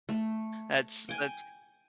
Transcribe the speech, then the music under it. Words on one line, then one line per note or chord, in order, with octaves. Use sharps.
That's that's,
A3
G5 G#5